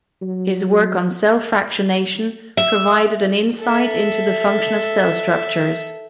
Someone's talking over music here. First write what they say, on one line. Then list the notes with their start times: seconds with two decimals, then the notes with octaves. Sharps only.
His work on cell fractionation provided an insight into the function of cell structures.
0.22 F#3
2.57 E5
3.61 A4 E5